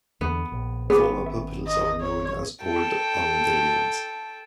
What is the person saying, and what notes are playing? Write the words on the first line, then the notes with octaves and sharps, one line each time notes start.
Former pupils are known as Old Oundelians.
E2 D3 B3
A#1
G#1 B3 C#4 G#4 C5 D6
E5
D#5
C#5
A4 G5